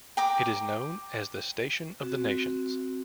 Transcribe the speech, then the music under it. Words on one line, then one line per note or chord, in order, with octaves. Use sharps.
It is known as The Station of the Nations.
G5 A#5 D6
C4 F#4